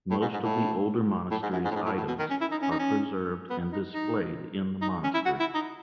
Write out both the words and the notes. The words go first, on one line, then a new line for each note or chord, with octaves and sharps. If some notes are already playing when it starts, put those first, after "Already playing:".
Most of the older monastery's items are preserved and displayed in the monastery.
A2
G#2
G#2
A2
A2
G#2
F#2
G#2
A2
G#2
A2
A2
B2
D#3
C#4
E4
D#4
C#4
D#4
C#4
B3
D#4
D#4
D#4
C#4
E4
F#4
E4
D#4